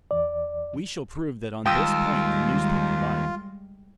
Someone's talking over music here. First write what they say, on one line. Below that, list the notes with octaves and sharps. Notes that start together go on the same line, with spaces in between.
We shall prove that on this point the newspaper lied.
E2 D5
D#2 G3 G#3 F4 G5 D#6 E6